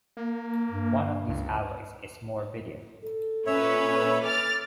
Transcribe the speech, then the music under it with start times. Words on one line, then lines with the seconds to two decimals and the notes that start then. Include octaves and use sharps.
One of these alloys is morbidium.
0.17 A#3
0.70 G2
1.29 C#2
3.02 A4
3.47 A#2 C#4 B4 C#5 E5
4.25 D6 F6 A6